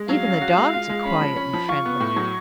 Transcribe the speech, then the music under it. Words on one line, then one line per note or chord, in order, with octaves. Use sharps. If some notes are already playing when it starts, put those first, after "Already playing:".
Even the dogs are quiet and friendly.
Already playing: G#3
F#3 F5
C#4
F#4
G#3
F4
G#3
C#4 B5
F3
C#4
F3
F4 C#6
B3
A2
F#3